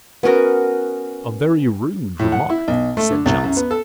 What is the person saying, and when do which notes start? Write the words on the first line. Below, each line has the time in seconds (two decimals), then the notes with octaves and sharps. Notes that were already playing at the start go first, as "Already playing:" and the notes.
"A very rude remark," said Johnson.
0.23 B3 C#4 F#4 A#4
2.19 A2
2.32 F#5
2.49 E4
2.68 B1
2.97 A3
3.11 D3
3.26 C2
3.44 F#2
3.57 B3
3.71 A4